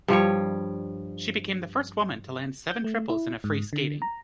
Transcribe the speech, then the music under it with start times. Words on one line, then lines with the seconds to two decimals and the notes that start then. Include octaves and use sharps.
She became the first woman to land seven triples in a free skating.
0.08 G2 F3 G3 C#5
2.70 G6
2.84 A3
3.10 E4
3.44 G#2
3.73 D3
4.02 A#5